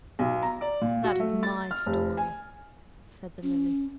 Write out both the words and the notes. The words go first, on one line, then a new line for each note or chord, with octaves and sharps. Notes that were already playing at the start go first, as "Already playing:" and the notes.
"That is my story," said the Lily.
B1
A#5
D5
A#2
F#4
A3
A6
F6
F1
G#5
C#4